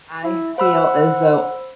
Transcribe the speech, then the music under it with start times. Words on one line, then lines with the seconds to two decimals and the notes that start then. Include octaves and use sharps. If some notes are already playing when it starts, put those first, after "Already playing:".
I feel as though,
0.24 E4
0.58 C5 F#5 B5 E6